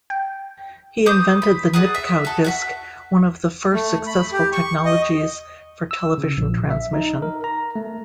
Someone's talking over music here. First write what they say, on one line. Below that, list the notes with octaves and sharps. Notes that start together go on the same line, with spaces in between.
He invented the Nipkow disk, one of the first successful technologies for television transmission.
G5
C5 D6 D#6 G6
B5
G#4 D5 F#5 D#6
E5
F#4 A4
F#4 E5 F#5
A3
B5
G4
C#6
D#5
E6
C#3
A#1
E5
D#4
A#4
A#5
A3